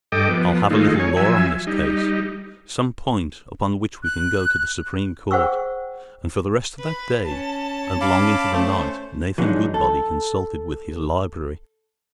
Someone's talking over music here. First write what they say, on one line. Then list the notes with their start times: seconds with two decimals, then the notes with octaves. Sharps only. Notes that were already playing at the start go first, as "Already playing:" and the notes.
"I'll have a little law on this case,--some point upon which we can go to the Supreme Court," and for the rest of that day and long into the night Nathan Goodbody consulted with his library.
0.12 G2 A4 D#5 G5 D6
0.29 F3 B3
0.70 D#3 E3 G#3 A3 D#4 F4
0.99 C#5 G#5
1.16 F3 F#3 E5 G#5
1.67 G3 D#4
4.03 F#6
5.31 G#4 C5 F#5 G5 C#6 E6
6.79 B4
7.25 C#4 A5
8.01 F5 B5 D6
8.53 A3 C5
9.38 E3 F#3 G#3 B3 D4 D#4
9.74 A4